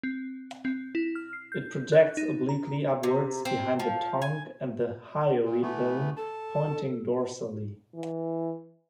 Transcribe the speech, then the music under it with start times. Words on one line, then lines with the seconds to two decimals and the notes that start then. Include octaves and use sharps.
It projects obliquely upwards behind the tongue and the hyoid bone, pointing dorsally.
0.03 C4
0.65 C4
0.95 E4
1.15 F6
1.33 C7
1.52 G6
1.92 F#6
2.17 D#4
2.49 A#5
3.03 C3
3.45 C4
3.79 F3
4.22 G#5
5.44 A#2
5.62 E3 A3 B3
6.17 A4 A5
7.94 E3